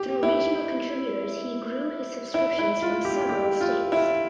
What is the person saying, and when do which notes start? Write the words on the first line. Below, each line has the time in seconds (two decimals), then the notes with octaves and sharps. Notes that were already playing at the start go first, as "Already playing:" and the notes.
Through regional contributors he grew his subscriptions from several states.
Already playing: G4
0.23 E4
2.34 E4
2.59 E4
2.82 F4
3.05 G4
3.29 G4
3.61 F4
3.92 E4